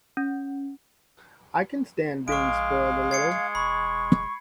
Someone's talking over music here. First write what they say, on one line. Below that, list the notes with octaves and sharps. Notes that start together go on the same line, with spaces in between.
I can stand being spoiled a little.
C#4
A#1 G#3 F5 C#6 D7
G#6 C7 C#7
E1 B5 C#6